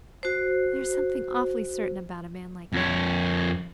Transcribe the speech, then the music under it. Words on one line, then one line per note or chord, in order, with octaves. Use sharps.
There is something awfully certain about a man like him.
F#4 C5
F2 C#5